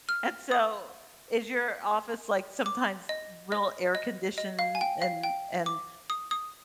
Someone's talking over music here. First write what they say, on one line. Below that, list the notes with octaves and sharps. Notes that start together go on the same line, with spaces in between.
and so, is your office, like, sometimes e real air conditioned and and
F6
D#6
D6
D#5
D#5
D#5
D#5
F5
G#5
G5
F5
G5
D6
D#6
D#6